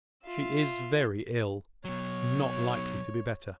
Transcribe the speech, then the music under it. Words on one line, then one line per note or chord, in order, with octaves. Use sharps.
"She is very ill;--not likely to be better."
F4 E5
B2 F#3 C#5